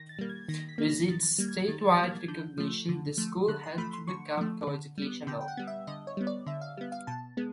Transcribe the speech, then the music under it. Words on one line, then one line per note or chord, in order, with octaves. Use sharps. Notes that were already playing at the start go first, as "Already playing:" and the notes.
With its statewide recognition, the school had to become co-educational.
Already playing: D#3 A#6
A6
G3 A#3
G#6
D#3 A#6
B6
G3 A#3
A#6
D#3 A6
G3 A#3
G#6
D#3 A6
A6
G3
A#3
G#6
D3 G6
F3 A3
D3
F3 A3
D3 F#6
C6
F3 A3 B5
C6
D3 C#6
F3 A3
D3
G3 B3
D3 G5
G5
F#5
G3 B3
E5
D3 D#5
C#5
G3 B3
D5
D3 E5
F5
G3 B3
F5
B2 A5
G#3 B3